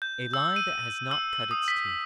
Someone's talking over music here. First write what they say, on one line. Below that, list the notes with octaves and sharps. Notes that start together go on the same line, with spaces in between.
A lie that has not cut its teeth.
G6
E6
D#7
E6
D#6
B6